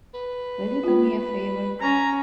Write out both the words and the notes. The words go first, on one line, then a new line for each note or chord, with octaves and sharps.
Will you do me a favour?
B4
G#3 F4
C#4 A#5